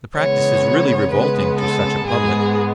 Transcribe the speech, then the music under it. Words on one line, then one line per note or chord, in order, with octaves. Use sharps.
The practice is really revolting to such a public.
C#3 E3 G#3 B3 C#5
C#3 G#3 B3 B4
A4
G#2 G#3 B3 G#4